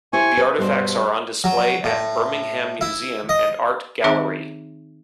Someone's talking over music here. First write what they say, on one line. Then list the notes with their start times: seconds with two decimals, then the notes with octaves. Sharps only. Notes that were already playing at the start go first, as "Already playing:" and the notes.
The artifacts are on display at Birmingham Museum and Art Gallery.
0.13 E4 G4 C5 G#5 C#6
0.37 B4
0.59 G2 B2 G3 C5
1.44 F#3
1.84 A2
2.81 E4
3.29 D#5
4.04 D#3 C4 D#4 G#4 E5 B5